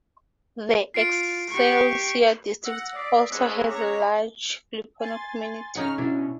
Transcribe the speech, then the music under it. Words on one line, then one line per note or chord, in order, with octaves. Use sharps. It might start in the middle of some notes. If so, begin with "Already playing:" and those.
The Excelsior District also has a large Filipino community.
F4 C7 D7
G4 C#6
F#5 E6 A#6
D5 D#6 B6 C7
G#2 B3 C#4 G#4 E6 F#6 C#7
C#5 A#5 D6
G#5 C6 A6
C#3 D#4 C#5 F#5 F6
B2 C#4 D4 E4